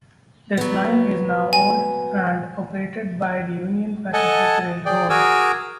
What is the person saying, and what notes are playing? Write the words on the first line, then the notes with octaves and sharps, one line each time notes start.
This line is now owned and operated by the Union Pacific Railroad.
F#3 B3
G#5
A4 D#5 F#5 G#5 A5
G#4 D5 G5
F#4 G#4 A#4 G#5 D6 E6